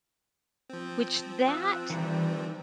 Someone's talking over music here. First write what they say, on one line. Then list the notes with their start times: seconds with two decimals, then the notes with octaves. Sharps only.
which that
0.70 F3 C4
1.48 F4 E6 F#6
1.90 D#3 E3 G3